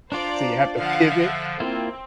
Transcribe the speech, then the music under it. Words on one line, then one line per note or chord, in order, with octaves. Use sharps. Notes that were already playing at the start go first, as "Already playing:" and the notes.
So you have to pivot?
D4 F4 C5 D5 A#5
D3 F3 F5 F#5
E5
A#3 C4 E4 F4